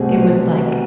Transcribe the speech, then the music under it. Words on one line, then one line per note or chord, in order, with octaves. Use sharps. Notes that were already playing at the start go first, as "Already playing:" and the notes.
it was, like
Already playing: C2 B2 A3 C4 G#4